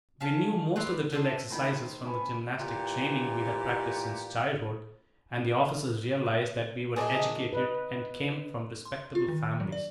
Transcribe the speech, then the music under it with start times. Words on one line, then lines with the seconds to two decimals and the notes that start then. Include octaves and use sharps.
We knew most of the drill-exercises from the gymnastic training we had practiced since childhood, and the officers realized that we were educated and came from respectable families.
0.21 C#4 F5 A5
0.76 C4 F4 G4 B4
1.12 D3 D4 F4 A4
1.50 A2 D#3 C5 B5
2.06 B4 G#5 C#6
2.60 A#2 E3 G4
6.96 A#2 D4 G#4 D#5
7.53 B4 D#5
8.85 C6
9.15 F4
9.28 D#3
9.60 F#3
9.72 D5